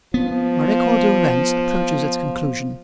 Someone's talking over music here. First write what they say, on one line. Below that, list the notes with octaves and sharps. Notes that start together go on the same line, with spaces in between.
MY record of events approaches its conclusion.
F3 B3